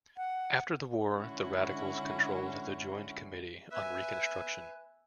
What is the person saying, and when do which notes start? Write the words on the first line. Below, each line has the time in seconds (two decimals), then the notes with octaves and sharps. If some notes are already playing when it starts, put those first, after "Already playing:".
After the war the Radicals controlled the Joint Committee on Reconstruction.
0.17 F#5
1.15 D3 G#3 C#4 E4 F#4
3.71 B4 E5 G#5